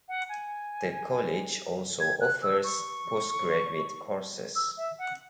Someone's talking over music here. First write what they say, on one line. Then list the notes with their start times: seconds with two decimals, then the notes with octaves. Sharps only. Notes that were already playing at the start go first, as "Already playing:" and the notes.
The college also offers postgraduate courses.
0.08 F#5
0.29 G#5
2.00 G#6
2.21 F#6
2.43 E6
2.64 C#6
4.55 E6
4.77 E5
4.98 F#5